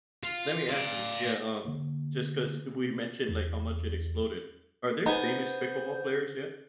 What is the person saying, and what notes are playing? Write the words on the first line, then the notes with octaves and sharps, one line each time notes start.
let me ask you yeah, um, just 'cause we mentioned, like, how much it exploded. Are there famous pickleball players yet?
F4
D5 F5
D3 A#3
E2
B3 D#4 C5 G#5